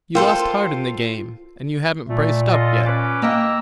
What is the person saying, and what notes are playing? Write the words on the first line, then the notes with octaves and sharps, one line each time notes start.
You lost heart in the game, and you haven't braced up yet.
F4 A4 A#4 C5 G5
A#2 A3
F4 A4 D#5
C#4 B4 D6
A#3 D#5 G5 A#5 E6